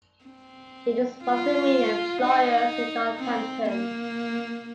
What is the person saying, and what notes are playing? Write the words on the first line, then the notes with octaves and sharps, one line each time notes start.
It is one of the main employers in Northampton.
C4
F4
D#4
C4
A#3